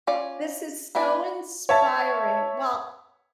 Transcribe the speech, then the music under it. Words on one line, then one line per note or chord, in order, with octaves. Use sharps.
this is so inspiring. Well,
C#4 F4 D5
B3 E4 B4 D5 G#5
C#5 E5 A5